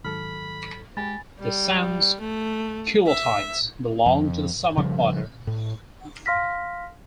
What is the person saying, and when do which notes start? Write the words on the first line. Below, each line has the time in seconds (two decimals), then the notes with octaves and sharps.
The Sansculottides belong to the summer quarter.
0.05 G#2 D#3 F#3 A4 B5 F6
0.97 G#3 G4 G#5 B5 A6
1.40 G3
2.21 A3
3.07 E5
4.06 F2
4.78 C#3 F3 G3
5.47 A2
6.26 F5 C6 F6 A#6 B6